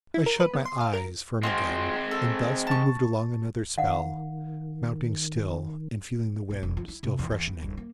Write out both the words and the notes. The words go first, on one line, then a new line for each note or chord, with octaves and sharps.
I shut my eyes firm again, and thus we moved along another spell, mounting still and feeling the wind still freshening.
E4
A#4
B4
B3
C6
F5
A#4
G#3 C4 F4 F#4 C5
A4
A5 C#6
D#3 F5 F#5
A#1
E1
F3
E4
C3
E2
E2
B3
G1
A#3